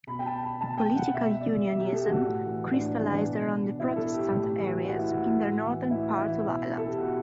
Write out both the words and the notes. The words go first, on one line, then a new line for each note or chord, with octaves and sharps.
Political Unionism crystallised around the Protestant areas in the northern part of Ireland.
B2 B5
G5
A5
B5
B2 A5
G5
F#5
B2 E5
E5
D5
B2 E5
G4
A4
F#4
A2
E3
A2 D4
E3 D4
B2
B2 E4
A4
G4
A2
E3
A2 F#4
E4
E3 F#4
A2
E3
A2 E4
E3 E4
B2
A4
G4
B2 F#4